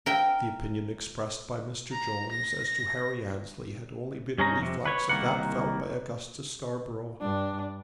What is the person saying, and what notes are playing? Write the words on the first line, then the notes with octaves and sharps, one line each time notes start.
The opinion expressed by Mr. Jones as to Harry Annesley had only been a reflex of that felt by Augustus Scarborough.
A#4 E5 G5
A#5
A#6
G2 C#4 D#4 A#5
F2 C3
B4 C#5
C2 D#3 A#3 F#5
G2 D4